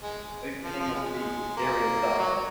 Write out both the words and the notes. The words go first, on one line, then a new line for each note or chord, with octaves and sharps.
Opening of the Imperial diet.
G#3
F3
F3
G#3
A#3
F#3
F#3